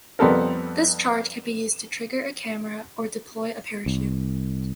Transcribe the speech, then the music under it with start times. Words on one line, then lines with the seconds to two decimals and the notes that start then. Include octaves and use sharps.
This charge can be used to trigger a camera, or deploy a parachute.
0.19 F2 G3 B3 C4 A4 A#4
3.86 C2